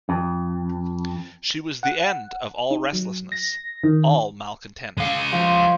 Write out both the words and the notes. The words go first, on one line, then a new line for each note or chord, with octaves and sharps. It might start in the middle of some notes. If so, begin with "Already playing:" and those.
She was the end of all restlessness, all malcontent.
F2
F#5
D#4
F#3
A#6
D#3
G#3 F5
F3